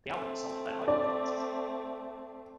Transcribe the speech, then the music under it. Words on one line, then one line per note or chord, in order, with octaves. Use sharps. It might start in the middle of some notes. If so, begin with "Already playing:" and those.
The album was sold at their live performances.
A3 C4
D5